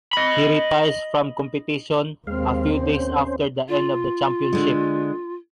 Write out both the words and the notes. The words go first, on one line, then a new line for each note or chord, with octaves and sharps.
He retires from competition a few days after the end of the championship.
D#5 B5
D#2 G#3 C4 F5
C#4 C5
F4
D3 G#3